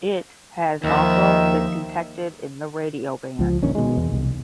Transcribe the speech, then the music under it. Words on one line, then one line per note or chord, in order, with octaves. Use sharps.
It has also been detected in the radio band.
D#2 D#3 F3 E5
C#2 F3
D#1 A#1 D#3 C#4
B2 D#3 G#3
E2
C2